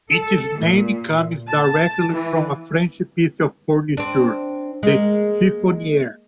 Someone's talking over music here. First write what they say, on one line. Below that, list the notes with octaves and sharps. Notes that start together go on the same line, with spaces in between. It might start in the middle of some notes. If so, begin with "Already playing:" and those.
Its name comes directly from a French piece of furniture, the chiffoniere.
A4
A#2
A5
E3
C4 D4
G#3 A#3